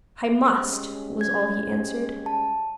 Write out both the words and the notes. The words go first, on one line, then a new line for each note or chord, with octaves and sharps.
'I must,' was all he answered.
G3 G#3 C#4
G#6
A5